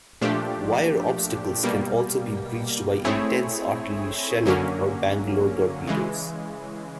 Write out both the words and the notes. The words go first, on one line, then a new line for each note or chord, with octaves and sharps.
Wire obstacles can also be breached by intense artillery shelling or Bangalore torpedoes.
A#2 F3 A3 D4 G4
B2 G3 A#3
A3 C4 E4 G#4 C#5
F#2 D3 F#3 A#3 C#4
C#3 E3 G#3